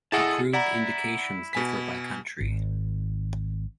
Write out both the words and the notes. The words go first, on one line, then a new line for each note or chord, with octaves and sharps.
Approved indications differ by country.
E4 G#4 A4 D#5 F#5 A5
E4 D5 F#5 A#5
B2 G#5 B6
G#1